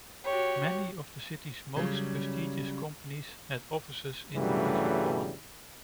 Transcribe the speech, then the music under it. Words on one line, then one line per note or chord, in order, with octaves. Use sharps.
Many of the city's most prestigious companies had offices in the Metropolitan.
F#4 G4 C#5
C#3 F#3 G3
G2 C#3 E3 F#3 G3 A3